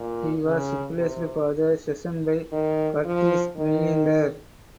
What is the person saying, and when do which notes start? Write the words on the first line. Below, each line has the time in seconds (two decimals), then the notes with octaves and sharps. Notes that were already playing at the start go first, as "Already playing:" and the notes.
He was replaced for the season by Curtis Millender.
Already playing: A#2
0.45 C#3
0.97 C3
2.52 D#3
3.04 F3
3.56 D#3